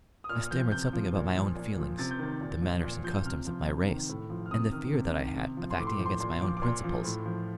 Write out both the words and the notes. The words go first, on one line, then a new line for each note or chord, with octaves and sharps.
I stammered something about my own feelings--the manners and customs of my race--and the fear that I had of acting against my own principles.
D#6
A#2 F6
F6
F3 G6
C3 G6
F3
A#2
F3
A#2
F3
C3 A6
G6
D#3 A6
A#2
F3
A#2
F3 G6
C3 F6
F3
C3
D#3
A2
F3
F6
C3 D#6
D#3 F6
C3
D#3
C3
F3
C6
A2 D6
C6
D6
F3
C6
A#2 C6
C6
F3 D6
D6
A#2 C6
F3
A2
F3